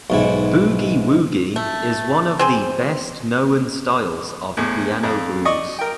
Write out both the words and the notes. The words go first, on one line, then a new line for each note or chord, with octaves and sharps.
Boogie woogie is one of the best known styles of piano blues.
B1 G#2 E4
A3
C4 G#4 C5
E2 A2
F2
D5 D#5 C#6 D#6
A#4 G5